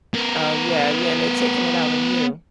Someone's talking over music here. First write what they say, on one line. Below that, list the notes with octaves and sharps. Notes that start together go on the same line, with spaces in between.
Oh yeah, yeah, and they taking it out on you.
B3 A#4